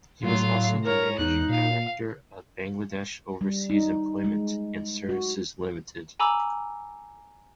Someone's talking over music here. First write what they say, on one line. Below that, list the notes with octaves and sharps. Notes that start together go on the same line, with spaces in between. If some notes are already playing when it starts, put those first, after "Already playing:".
He was also the Managing Director of Bangladesh Overseas Employment and Services Limited.
A2 F#3 F4 F5
A#4 C#5 A#5
E2 D#4 F#6
A#2 F5
G3
D#4
G#3
F#4
G#5 A#5 B5 D6 E6